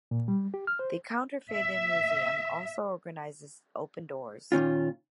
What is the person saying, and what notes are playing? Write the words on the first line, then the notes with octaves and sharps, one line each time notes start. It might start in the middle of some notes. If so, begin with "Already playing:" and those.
The Counterfeiting Museum also organizes Open Doors.
A#2
G3
G4
F6
C5
E5
A#2 D#3 C#4 F4